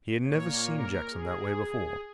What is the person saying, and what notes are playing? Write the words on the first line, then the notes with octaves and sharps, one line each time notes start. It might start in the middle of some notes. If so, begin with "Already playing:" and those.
He had never seen Jackson that way before.
A#2 A#3 C#5
A#4
G#4